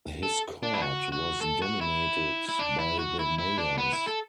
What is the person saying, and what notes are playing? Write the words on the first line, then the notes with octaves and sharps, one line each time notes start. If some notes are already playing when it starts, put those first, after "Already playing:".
His court was dominated by the mayors.
A4
D4
E4
F#4
F#4
A4
F#4
E4
E4
D4
E4
F#4
E4
E4
D4
B3
E4
A4